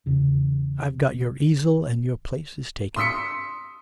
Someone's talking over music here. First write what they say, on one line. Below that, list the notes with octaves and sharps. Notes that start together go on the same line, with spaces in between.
I've got your easel, and your place is taken.'
E2 C#3
C6 D#6 E6 B6 C#7